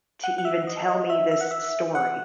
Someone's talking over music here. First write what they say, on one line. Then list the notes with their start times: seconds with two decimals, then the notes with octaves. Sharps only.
to even tell me this story,
0.24 F#5
0.38 F#5
0.45 E5
0.67 D#5
0.88 D#5
1.10 E5
1.31 E5
1.41 F#5
1.51 E5
1.95 F#5